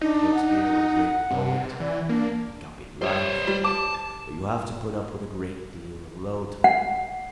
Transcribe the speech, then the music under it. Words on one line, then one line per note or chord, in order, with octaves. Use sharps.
"Shakespeare was a great poet; he copied life, but you have to put up with a great deal of low talk."
D4 D#4
F#5
C3
E3 D5
A#3 D4
G3 C5 C#5
G3
A5 D6
F#5